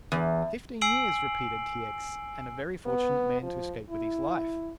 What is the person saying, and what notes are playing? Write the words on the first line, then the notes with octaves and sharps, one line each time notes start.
"Fifteen years," repeated T. X., "and a very fortunate man to escape with his life."
E2
G#5 E6 C7 D7 F#7
B3
F3
E4